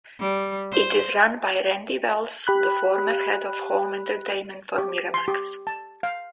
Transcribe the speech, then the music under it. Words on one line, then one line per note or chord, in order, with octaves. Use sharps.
It is run by Randy Wells, the former head of home entertainment for Miramax.
G3
C5
G4 B5 F#6
G4
C6
G4
A5
F5